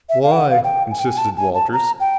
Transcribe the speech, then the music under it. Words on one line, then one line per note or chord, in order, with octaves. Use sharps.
"Why?" insisted Walters.
E5
F5
G5
F#5
F5
G5
G#5
G5
G#5
A5
G#5
A5
A#5
G5